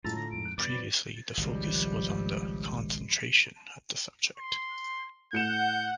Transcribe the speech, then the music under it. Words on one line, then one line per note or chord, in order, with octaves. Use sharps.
Previously, the focus was on the "concentration" of the subject.
F#2 A2 G#3 F4 A4 A#5 A6
D3 A#6
A1 F2 G#2 D7
F#6
E2 G2 B2 B4 D5 B5 D6 A6
G2 F#3 C4
G#1 C#2 F3 G3
C6
A2 F#5 G6 C#7 E7